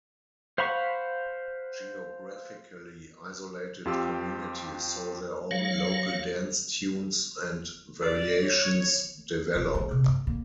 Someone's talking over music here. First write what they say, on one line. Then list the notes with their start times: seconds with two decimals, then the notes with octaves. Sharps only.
Geographically isolated communities saw their own local dance tunes and variations develop.
0.58 C5 F5 F#5 B5 C#6
3.85 F2 F4 G4 E6
5.51 F#3 C#5 F5
8.02 D5
8.45 C#5
9.55 E1
9.75 G#3 D#4
9.91 D#1 C3
10.08 G2
10.27 D3 A#3